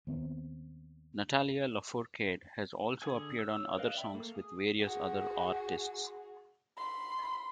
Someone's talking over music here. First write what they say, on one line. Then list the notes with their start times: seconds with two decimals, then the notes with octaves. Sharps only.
Natalia Lafourcade has also appeared on other songs with various other artists.
0.07 D#2 B3 C4
3.02 D3 G#4 G#5
3.39 C#5 E6
3.78 A#4 B4 D#5 F5
3.94 D5 E5 G5 B5
4.14 A3 A#3
4.35 G#4
4.79 F#4 G#4
6.77 B5 C6